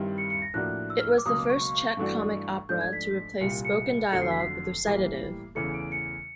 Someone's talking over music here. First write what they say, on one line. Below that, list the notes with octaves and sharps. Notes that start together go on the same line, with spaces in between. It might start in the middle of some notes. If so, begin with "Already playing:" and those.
It was the first Czech comic opera to replace spoken dialogue with recitative.
Already playing: G2 D#3 G3 C4 E4
C#7
C#7
A#6
A2 F3 A#3 D4 F#4 F#6
E6
F6
E6
D6
C#2 B2 F#3 A#3 D#6
D6
C#6
C#6
G2 E3 A3 D4 F#4
G#2 F3 A3 D4 G6
G#6
B6
C2 A#2 G3 C#7
C#7
F2 D3 F#3 A3 C#7
C7
B6
C7
A2 E3 G3 A#3
E2 C#3 E3 A3 C#7
D7
C#7